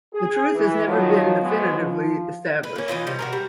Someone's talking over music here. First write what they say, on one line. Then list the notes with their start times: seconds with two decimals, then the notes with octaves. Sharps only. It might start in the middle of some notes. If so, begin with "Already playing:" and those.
The truth has never been definitively established.
0.14 G#4
0.55 E3
0.86 D#3 F3 F#3
1.41 F3 F#3 G#3 B3
1.78 F3
2.63 B4
2.76 A#3 C#4
2.88 E3 D#4 F4 D#5
3.07 C3 G3
3.19 F#4 G#4 A#4
3.33 G3